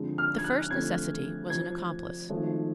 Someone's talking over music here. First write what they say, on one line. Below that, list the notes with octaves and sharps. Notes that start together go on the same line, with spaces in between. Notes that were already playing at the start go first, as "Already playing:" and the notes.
The first necessity was an accomplice.
Already playing: F2 D3 G#3
F6
G#6
F#6
F2 D3 F3 A3 G#6
F1 F2 F3 G#6
G#1 G#2 F3 A3